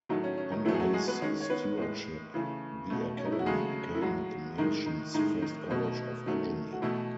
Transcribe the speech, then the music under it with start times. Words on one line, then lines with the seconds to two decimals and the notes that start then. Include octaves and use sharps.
Under his stewardship, the Academy became the nation's first college of engineering.
0.09 A2 D#3 F#3 A3 D#4
0.24 C#4
0.38 C#4
0.52 D#3 D#4
0.65 A2 E3 F#3 A3 E4
0.74 G#4
0.80 F#3 F#4
0.94 G#3 G#4
1.08 B3 B4
1.22 D#3 G#3 C#4 C#5
1.41 C#5
1.50 B3 B4
1.78 A2 G#3
2.34 C#3 E3 A3
2.90 B2 A3
3.18 C#4
3.25 D#4
3.32 E4
3.39 F#4
3.46 C#3 F#3 G#3 A3 G#4
3.95 E4
4.02 A2 F#3 G#3 F#4
4.58 A2 D#3 G#3 D#4
4.86 D#3 D#4
5.14 A2 D#3 D#4
5.19 G#3
5.42 D#3 D#4
5.70 B2 A3
6.26 D#3 F#3 A3
6.72 F#4
6.82 B2 E3 A3 E4